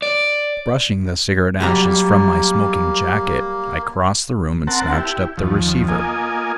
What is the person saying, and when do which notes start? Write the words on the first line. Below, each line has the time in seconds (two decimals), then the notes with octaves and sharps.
Brushing the cigarette ashes from my smoking-jacket, I crossed the room and snatched up the receiver.
0.02 D5
1.60 F#3 G3 A#3 A#5
4.67 C4 A#4 F#5 A5
4.92 E4 G4
5.37 D#2 F3
5.88 A#3 F4 D#5 G#5